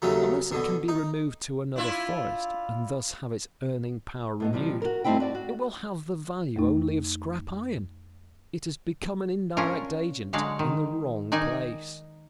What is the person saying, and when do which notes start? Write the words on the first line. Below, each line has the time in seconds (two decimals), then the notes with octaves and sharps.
Unless it can be removed to another forest and thus have its earning power renewed, it will have the value only of scrap-iron; it has become an indirect agent in the wrong place.
0.02 D#2 C#3 F#3 A3
0.52 B2 D3
0.88 D#4
1.76 D4 E4 F4
4.40 A2 B3 D#4
4.53 C3 F3 G3
4.82 F#4 A#4
5.04 G2 A3 C4 D#4 E4 G5
5.20 F#4 D5
5.35 F#4
6.56 F2 A3 D#4
9.57 C#4 D4 F4 A#4
10.33 D3 F#3 G#3 F5 F#5
10.59 D#3
11.32 D#3 D#4 D5 G#5